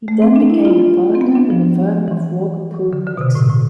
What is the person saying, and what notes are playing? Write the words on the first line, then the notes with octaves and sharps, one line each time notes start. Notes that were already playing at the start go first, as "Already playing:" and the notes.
He then became a partner in the firm of Walker Poole Nixon.
A3
C4
D4
E4
F4
C4
B3
D4
F3
E3
D3
D3
B2
C3
A2
A2